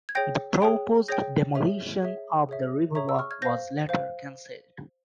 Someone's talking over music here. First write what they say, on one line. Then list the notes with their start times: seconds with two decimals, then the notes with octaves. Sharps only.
The proposed demolition of the Riverwalk was later cancelled.
0.09 G#6
0.15 G#4 C#5 G5 G6 A#6
0.62 G#4 C#5 G5
1.08 G#4 C#5 G5 G6 A#6
1.55 G#4 C#5 E5
2.02 G#4 C#5 E5
2.49 G#4 C#5 E5
2.95 G#4 C#5 E5 A#5 C#6
3.09 E6
3.19 C#6 F6
3.31 F6 G#6
3.42 C5 F5 G6 A#6
3.89 C5 F5